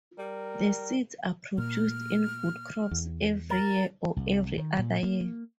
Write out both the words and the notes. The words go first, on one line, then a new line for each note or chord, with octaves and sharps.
The seeds are produced in good crops every year or every-other year.
G3 A#4
A#2 F6
E2
A#4 A6
C2
D#3
A#2
A#3